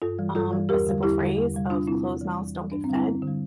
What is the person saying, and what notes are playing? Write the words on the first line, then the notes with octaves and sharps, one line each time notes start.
um, a simple phrase of closed mouths don't get fed,
G2 F4 A4
E3 G3
G2 F4 A4
E3 G3
E2 G4 A#4
D3 G3
E2 E4 G4
D3 G3
E2
C3 G3
E2 D4 F4
C3 G3 C4 E4
E2
E3 G3
E2
E3 G3
G2 D4
C4
D3 G3
C4 E4
G2
D3 G3